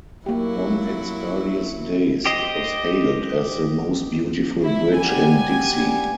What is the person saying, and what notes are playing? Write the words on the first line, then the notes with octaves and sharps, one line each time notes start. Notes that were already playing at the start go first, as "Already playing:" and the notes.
From its earliest days, it was hailed as The Most Beautiful Bridge in Dixie.
F#3 A#3 E4 G4
G4 C5 D#5
E4
G3 B3 G4 G#5